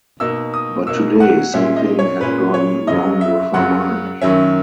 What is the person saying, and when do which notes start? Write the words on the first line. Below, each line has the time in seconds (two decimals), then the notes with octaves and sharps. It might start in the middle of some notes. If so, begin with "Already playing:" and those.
But today something had gone wrong with her mind.
0.20 B2 A#3 D#4 E6
0.54 D#6
0.87 B2 A#3 D#4 E6
1.20 F#5
1.54 A#2 G#3 C#4 E5
1.76 D#5
1.99 C#5
2.21 A#2 G#3 C#4 B4
2.54 C#5
2.87 F#2 C#3 F#3 D#5
3.21 E5
3.54 F#2 C#3 F#3 F#5
4.22 F#2 D#3 F#3 C#4 E5